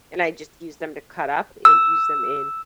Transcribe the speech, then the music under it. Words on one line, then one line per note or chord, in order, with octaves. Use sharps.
and I just use them to cut up, and use them in
E6